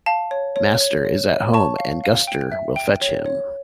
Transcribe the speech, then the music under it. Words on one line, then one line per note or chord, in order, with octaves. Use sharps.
Master is at home, and Guster will fetch him.
F5 A5
C#5
C#5
C#5
C#5
C#5
C#5 A5 C#6
F5
F5
G5
E5
G5
C#5
C#5